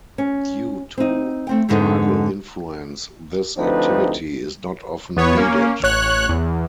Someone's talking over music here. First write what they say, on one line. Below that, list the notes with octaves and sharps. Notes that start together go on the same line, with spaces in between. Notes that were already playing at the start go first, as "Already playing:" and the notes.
Due to tidal influence, this activity is not often needed.
C#4
C4 D#4
A3 C4 G5
F2 G#2 D3 G#3 B3 D#4
D2 F3 C4 D4 D#4 B4
E2 B3 C#5
A#3 C#4
A1 C#5 F#6
E2